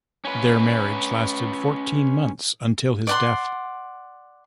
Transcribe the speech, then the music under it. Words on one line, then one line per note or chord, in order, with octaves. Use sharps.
Their marriage lasted fourteen months until his death.
C#4 B4
D5 F#5 C6